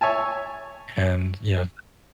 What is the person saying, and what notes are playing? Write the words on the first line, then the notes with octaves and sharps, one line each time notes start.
and, you know
C#5 E5 G#5 A5